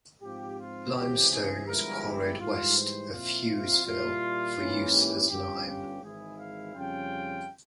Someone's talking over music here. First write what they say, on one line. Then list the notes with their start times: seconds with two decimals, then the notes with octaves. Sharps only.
Limestone was quarried west of Hughesville for use as lime.
0.21 G#2 F3 C4 F4 G4
0.58 F4
0.94 C#2 C3 E3 G4
1.31 G#4
1.67 G1 G2 F3 G#3 E4 A#4
2.03 G4
2.39 G#2 E3 G3 F4
2.76 C5
3.12 A#2 F3 C4 E4 F4
3.84 A#2 G3 A#3 E4 F4
4.57 G#2 E3 A#3 C#4 E4
4.94 G4
5.30 G1 G2 G3 C#4 F4 G4
5.67 G4
6.02 G#1 G#2 E3 G#3 E4 G#4
6.39 F5
6.75 F2 C#3 G3 C#4 F4 G5